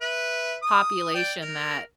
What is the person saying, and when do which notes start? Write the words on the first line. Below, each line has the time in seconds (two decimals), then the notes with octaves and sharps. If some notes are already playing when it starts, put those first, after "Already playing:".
population that
0.01 B4 E5
0.62 D#6
1.15 D5 G5
1.42 A#4